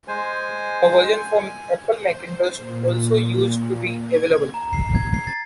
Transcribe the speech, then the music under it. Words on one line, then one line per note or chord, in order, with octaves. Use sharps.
A version for Apple Macintosh also used to be available.
G#3 C5 G#5
G#5
C5
A#2
G#6
A#5
C7
G#6
C7
A6